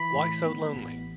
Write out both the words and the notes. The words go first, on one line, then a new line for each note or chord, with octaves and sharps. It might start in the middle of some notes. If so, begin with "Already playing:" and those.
Why So Lonely?
Already playing: E3 B5
A2
B3
A1